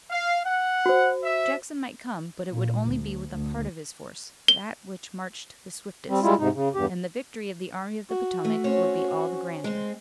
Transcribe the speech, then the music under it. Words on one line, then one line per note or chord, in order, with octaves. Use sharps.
Jackson might come, but it would only be with a part of his force, that which marched the swiftest, and the victory of the Army of the Potomac would be all the grander.
F5
F#5
F#4 C5
E5
A#2
D2
D2
G7
G3 C4
G3 G#3 E4 F4
G#2 C3 D#4
C#3
E2 G2 G4
F#4
A3
C4 C#4 C#5
G#3 C4